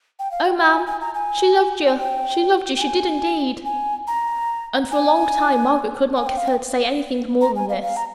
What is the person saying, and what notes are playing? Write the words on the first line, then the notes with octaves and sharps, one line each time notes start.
'Oh, ma'am, she loved yo', she loved yo', she did indeed!' And for a long time, Margaret could not get her to say anything more than this.
G5
F5
G5
G5
G#5
G#5
A#5
G#5
G#5
G5
G5
G#5
G#5
A#5
G#5
G#5
G5
F5
G5
A#5
G#5
F5
F5
A#5